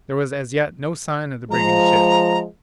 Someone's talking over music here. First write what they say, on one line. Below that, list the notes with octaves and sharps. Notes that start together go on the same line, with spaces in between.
There was as yet no sign of the brigand ship.
F3 G#3 A#5